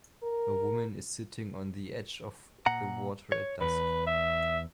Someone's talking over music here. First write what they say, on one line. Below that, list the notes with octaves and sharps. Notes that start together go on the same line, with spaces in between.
A woman is sitting on the edge of the water at dusk.
A#4
A#2 F#5 A#5
C#5
E2 B4
E5